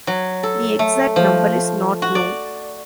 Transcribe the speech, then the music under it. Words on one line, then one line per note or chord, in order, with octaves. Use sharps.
The exact number is not known.
F#3
A4
A3
F3
F#4
D5